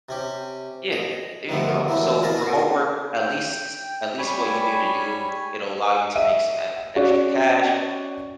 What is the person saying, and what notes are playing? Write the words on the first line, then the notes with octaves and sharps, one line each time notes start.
Yeah, there you go. So, remote work, at least is at least what you'll be able to do, it'll allow you to make some ec extra cash
C3 C#4 G4
D#5
D2 G2 D#3 F3 A3 B3
E3 F#3 A3 A#3 E4
A#4 B4 D#5 F5 G#5 A5
B3 F#4 G#4 A#4
G5
G3 C#5 G#5 B5
D#5 E5 D#7
C#4 F#4 D5